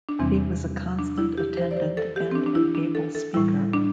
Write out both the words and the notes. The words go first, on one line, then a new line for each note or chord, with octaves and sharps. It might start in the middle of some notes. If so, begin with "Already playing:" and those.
He was a constant attendant and an able speaker.
D4
E2 C3 E3 G3 C4
D4
E4
G4
C5
D5
C5
A4
G4
C4
D4
D4
E4
D4
A4
A4
A2 E3 G3 E4
D4